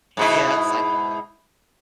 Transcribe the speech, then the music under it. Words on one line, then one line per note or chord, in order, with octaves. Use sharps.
Yeah. It's, like
G#2 B2 E4